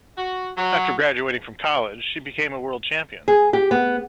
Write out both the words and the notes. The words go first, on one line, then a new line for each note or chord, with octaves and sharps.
After graduating from college, she became a world champion.
F#4
F#3
G#4
G4
B3